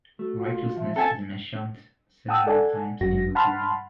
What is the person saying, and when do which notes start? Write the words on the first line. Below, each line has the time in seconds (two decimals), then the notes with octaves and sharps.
Righteousness is mentioned several times in the Qur'an.
0.19 A3 F#4
0.35 F4
0.77 F3 E5
0.96 C4 F4 A4 G#5 A5
2.29 F#5 G5 A5 D#6 E6
2.47 A4 D5 F#5 G#5
3.00 G1 F#2 F#4 A#6
3.35 F#5 A5 B5 C6 F6